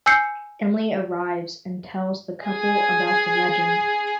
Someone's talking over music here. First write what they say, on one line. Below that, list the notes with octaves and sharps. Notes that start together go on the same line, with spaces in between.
Emily arrives and tells the couple about the legend.
G#5 E6 G6 C7 C#7
G#4 G#5